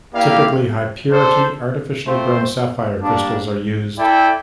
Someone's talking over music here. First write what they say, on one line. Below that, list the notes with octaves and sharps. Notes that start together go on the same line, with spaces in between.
Typically, high-purity artificially grown sapphire crystals are used.
A#3 E4 G4 D5 F5
D4 A4 C5
A3 C4 F4 C5
G3 A#3 D4
E4 A4 D5 G5